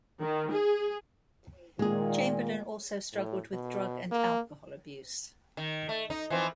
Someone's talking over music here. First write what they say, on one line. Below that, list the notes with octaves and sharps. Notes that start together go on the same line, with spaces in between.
Chamberlain also struggled with drug and alcohol abuse.
D#3
G#4
A#2 D#3 G#3 G#4
A2
B2
A#3
D#3
A3
D#4
E3 F3 C4